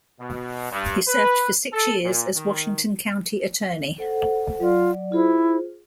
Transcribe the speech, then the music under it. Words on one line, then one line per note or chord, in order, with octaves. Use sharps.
He served for six years as Washington County Attorney.
B2
G2
B4
A4
A#2
D#3
A4 C5 F#5
F#3 F4 D5
E4 F4 G#4 C5